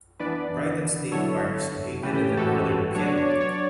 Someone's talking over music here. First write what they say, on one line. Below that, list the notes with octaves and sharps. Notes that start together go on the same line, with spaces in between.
Brighton State Park is located in the Northern Piedmont.
E3 B3 D4 B4 D5
D3 F#3 B3 E4 A4 C#5
A2 E3 A3 C#4 G4 B4
G4
G4
F#4 A4
F#3 B3 D4 C#5
D5
C#5
D5
C#5
D5